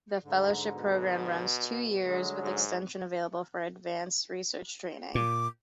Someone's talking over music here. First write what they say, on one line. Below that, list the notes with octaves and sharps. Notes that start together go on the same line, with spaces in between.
The fellowship program runs two years with extensions available for advanced research training.
G#2 D3
B2
D3 F#3 G#3
G#2
A#2 D6